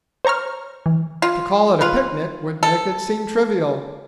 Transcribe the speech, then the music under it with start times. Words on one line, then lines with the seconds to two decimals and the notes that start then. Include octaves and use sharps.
To call it a picnic would make it seem trivial.
0.25 C5 C#5 A#5 C#6 F6
0.86 E3
1.22 F4
1.81 F4 B4
2.63 A4